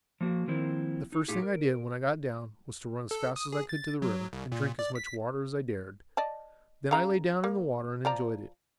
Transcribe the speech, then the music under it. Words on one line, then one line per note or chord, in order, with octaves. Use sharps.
The first thing I did when I got down was to run as fast as I could to the river and drink as much water as I dared, then I lay down in the water and enjoyed it.
F3 A#3 F#4
D#3 F3 A#3 C4 E4
D#4
A2 D#4 F4 G4 G#4
A#4
A4
D#6
G#4
A6
F#3
C2
A#2
D5
B6
D5 D#5 A5
C#3 F5 A#5
A#3
F3 D5 A#5